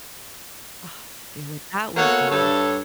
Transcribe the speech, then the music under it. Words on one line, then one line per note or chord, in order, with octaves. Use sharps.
Ah, dude that was my
A#3 B3 F#4 A4 C#5 F#5
G2 A4 C#5